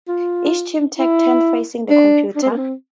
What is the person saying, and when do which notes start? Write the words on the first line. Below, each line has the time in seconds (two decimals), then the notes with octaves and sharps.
Each team takes turns facing the computer.
0.08 F4
0.99 E4
1.90 D4
2.36 D4
2.42 C4
2.51 A#3
2.58 C4